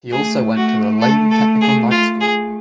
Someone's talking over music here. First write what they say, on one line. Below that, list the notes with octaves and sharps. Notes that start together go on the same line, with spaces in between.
He also went to the Lane Technical night school.
A3 G#4
F#4
A4
A4
G#4
F4
G#4